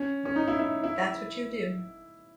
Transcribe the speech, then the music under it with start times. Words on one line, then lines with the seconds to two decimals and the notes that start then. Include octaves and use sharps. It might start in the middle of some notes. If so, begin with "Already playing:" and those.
That's what you do.
Already playing: C#4
0.25 C#4
0.36 D#4
0.48 E4
0.60 E4
0.84 E4